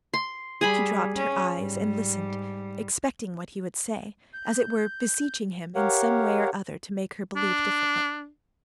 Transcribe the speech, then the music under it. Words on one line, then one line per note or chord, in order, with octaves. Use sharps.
She dropped her eyes and listened, expecting what he would say, as it were beseeching him in some way or other to make her believe differently.
C6
G3 G#4 G#5 B5
C#4
G#2 G3
G6
G4 A#4 C#5 F5 F#5
D4